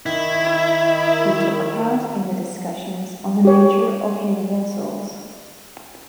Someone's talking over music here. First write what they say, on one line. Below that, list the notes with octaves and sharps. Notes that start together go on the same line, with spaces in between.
He took part in the discussions on the nature of Universals.
D#3 E4
G4 C#5